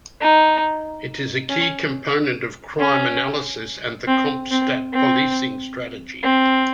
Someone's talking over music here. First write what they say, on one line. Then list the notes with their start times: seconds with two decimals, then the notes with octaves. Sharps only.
It is a key component of crime analysis and the CompStat policing strategy.
0.21 D#4
1.50 C#4
2.79 C#4
4.07 C4
4.51 C4
4.94 C4
6.23 C4